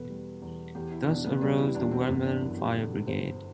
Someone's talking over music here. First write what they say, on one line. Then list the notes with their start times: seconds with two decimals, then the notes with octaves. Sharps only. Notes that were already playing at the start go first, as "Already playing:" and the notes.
Thus arose the Wormeln fire brigade.
Already playing: E2 B2 A4 B4
0.09 G3
0.42 E2
0.75 E2 G4
0.92 E4
1.08 B2 D4
1.25 B3
1.41 G3 D4
1.58 E4
1.74 E2 D4
1.91 C4
2.08 G1 B3
2.25 D4
2.41 F#2 E4
2.58 G4
2.74 D3 A4
3.07 G1 C5